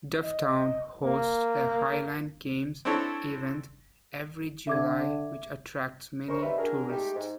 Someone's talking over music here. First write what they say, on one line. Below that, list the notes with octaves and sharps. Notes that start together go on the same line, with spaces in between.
Dufftown hosts a highland games event every July which attracts many tourists.
D#5
A#3
C4 D4 E4 A4 C#5
D3 E5 D6 G#6
C#3 G#3 D#4 A#4 C5 C#6
G3 C4 D#4 B4 E5
D4 F#4 G#4 A#4
G#3 A3 D#4 G4
G#2